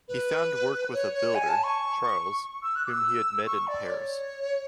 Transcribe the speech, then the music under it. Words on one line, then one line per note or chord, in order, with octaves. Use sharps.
He found work with a builder, Charles, whom he had met in Paris.
B4
C#5
C#5
G#5
A5
C#6
E6
F#6
D6
E6
C#6
D5
C#5